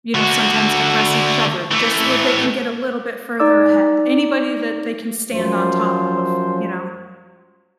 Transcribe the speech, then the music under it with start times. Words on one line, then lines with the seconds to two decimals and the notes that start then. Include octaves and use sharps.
you know, sometimes oppress each other just so that they can get a little bit further ahead. Anybody that they can stand on top of, you know,
0.14 D3 F#4
1.72 E3 A3
3.40 D#4 D5 D6 E6
5.32 F#2 F3 C5